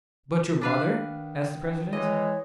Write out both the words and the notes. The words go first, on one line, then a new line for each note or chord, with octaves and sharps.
"But your mother?" asked the president.
D#3 D4 B4 F5
E3 G#3 C#5 D#5